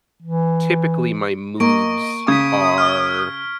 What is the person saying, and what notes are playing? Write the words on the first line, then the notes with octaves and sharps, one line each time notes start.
Typically my moods are
E3
A#3 D#5 C#6 D7
C#3 D#6 G#6 B6
F6